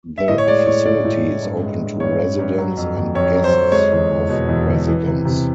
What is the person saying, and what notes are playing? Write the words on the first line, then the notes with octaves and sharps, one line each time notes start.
The facility is open to residents, and guests of residents.
E5
A2 D#5
C#5
G#3 D5
A2 C#5
A2 D5
A2
A2
G2
G#3
G2
G2 C#5
G2
G2
F#3
F2
F2
F2 C#5
F#3
C5
F2
G#3 C#5
E2
E2
B2
E2
E2
E3
C3
C3